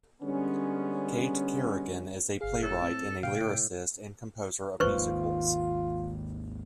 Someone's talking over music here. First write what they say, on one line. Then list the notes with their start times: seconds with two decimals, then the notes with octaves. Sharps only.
Kait Kerrigan is a playwright and a lyricist and composer of musicals.
0.22 D3 G3 G#3 B3 C#4
2.41 G1 G#4 F5
2.63 A2 A4
2.82 C4
3.23 A#2 C#3 F5 G5
3.41 A2
4.80 G#1 D#2 D#3 F4 B4 C5 C#6